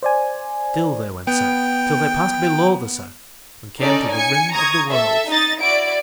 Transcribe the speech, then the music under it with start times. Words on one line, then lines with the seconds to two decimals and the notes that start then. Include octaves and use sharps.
Still they went South till they passed below the South and came to the Rim of the Worlds.
0.03 C5 D5 G#5
1.27 B3 G5
3.80 C#4 D#4 A4 D5
4.12 G#5 C#7
4.52 A#5 C#6 D#6 G#6
4.89 A4 E5
5.29 D#4 D#5 A6
5.60 E4 F#4 D5 D7